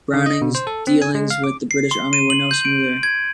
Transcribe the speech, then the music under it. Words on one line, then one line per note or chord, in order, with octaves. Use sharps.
Browning's dealings with the British Army were no smoother.
D3
D#5
B2
C5
A4
C4
G#5
G#3
F5
D6
C7
C6
D#7
F#7
G6
D7
G#6